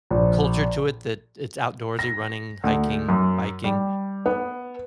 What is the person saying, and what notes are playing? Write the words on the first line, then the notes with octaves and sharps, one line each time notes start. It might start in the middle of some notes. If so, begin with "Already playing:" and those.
culture to it, that it's outdoorsy, running, hiking, biking,
A#1
A#6
D2
F#2
G3
B3